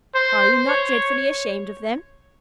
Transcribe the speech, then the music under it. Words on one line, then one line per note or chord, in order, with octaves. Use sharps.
"Are you not dreadfully ashamed of them?"
C5
C#5